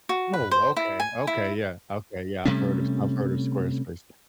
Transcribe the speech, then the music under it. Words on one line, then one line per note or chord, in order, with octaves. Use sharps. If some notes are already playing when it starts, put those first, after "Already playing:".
Oh, okay. Okay, yeah. Okay, yeah. I've heard of I've heard of Squarespace.
F#4
B4
C5
E4
G#5
E4
C3 G3 A3 C#4